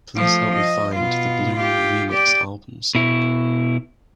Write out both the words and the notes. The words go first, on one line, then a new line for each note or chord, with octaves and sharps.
Please help me find the Bloom: Remix Album song.
F3 A3
D#5
B2 F4
F4 G4
G4 D5
B2 E4